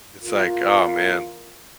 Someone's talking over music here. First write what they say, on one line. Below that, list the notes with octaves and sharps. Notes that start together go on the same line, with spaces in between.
It's, like, oh, man,
E2 F4 A#4